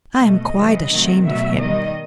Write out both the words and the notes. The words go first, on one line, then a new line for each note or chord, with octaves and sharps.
I am quite ashamed of him.
B2 A3 D#5
C3 E3 G3
C3 D#3 F#3 A3
B2 F#3 A3 E5
D#3 G3 D#5